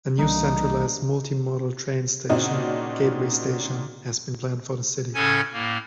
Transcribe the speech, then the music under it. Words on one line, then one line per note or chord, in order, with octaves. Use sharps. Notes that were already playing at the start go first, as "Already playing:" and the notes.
A new centralized multimodal train station, Gateway Station, has been planned for the city.
C2 B2 E3 G3 A#3 D4 D#4
A#2 C#3 C4 D4 D#4 F#4
A2 C#3 C#4 A4 G#5 G#6
A2 A#3